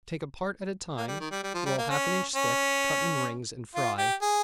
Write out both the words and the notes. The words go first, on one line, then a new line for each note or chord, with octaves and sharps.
Take a part at a time, roll half an inch thick, cut in rings and fry.
A#3
G3
D#3
G3
G3
F3
G3
A#3
C#4
C#4
F4
G4
G#4